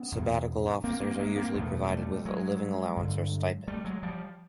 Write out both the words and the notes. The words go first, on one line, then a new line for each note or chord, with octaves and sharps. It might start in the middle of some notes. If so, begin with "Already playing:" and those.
Sabbatical officers are usually provided with a living allowance or stipend.
Already playing: B3 C#4
E2 B2
A#3 C4
A#3 C4
G#3 A#3
A#3 C4
E2 B2 A3 B3
G3 A3
F#3 G#3
G2 D3
G3 A3
F#3 G#3
F3 G3